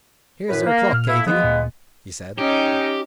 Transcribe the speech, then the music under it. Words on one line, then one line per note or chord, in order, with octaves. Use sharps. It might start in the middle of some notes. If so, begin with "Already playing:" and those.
"Here's your clock, Katy," he said.
F#2 A2 B4
A#3
A#2 F6
A3 A#3 E4
F3 G#3 A#3 B3
D2 A#2
C#4 D#4 G4